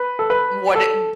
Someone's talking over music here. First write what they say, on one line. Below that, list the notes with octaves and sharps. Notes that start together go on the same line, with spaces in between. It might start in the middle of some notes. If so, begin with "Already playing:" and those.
what it w w
Already playing: B4
A4
B4
A4